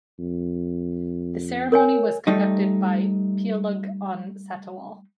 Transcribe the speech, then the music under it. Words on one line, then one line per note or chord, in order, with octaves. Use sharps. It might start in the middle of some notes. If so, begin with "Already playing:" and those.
The ceremony was conducted by Piailug on Satawal.
F2
A#4 C#5 G#5
G3 A3 D#4